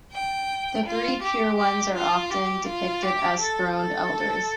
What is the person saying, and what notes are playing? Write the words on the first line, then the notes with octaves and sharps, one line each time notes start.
The Three Pure Ones are often depicted as throned elders.
G5
F4
G4
G4
F4
G4
F4
G4
A4
A4